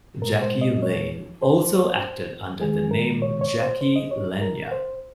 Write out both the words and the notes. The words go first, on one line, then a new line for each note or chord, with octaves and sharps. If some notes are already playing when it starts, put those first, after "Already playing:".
Jackie Lane also acted under the name "Jackie Lenya".
A#2 G#3 A#4
C5
D#5
C#5
C5
D#3 G#3 G#4
A#4
C#5
C#5
C5
C5
D#5
C#5
A#4
C5